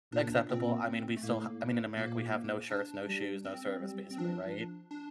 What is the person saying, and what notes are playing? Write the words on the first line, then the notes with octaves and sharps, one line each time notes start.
acceptable, I mean, we still h I mean, in America we have no shirts, no shoes, no service, basically, right?
A#2 D4
A#2 C4
A3
A2 A#3
A#2 A#3
D4
G3
C4
G3
C4
F3 D4
D4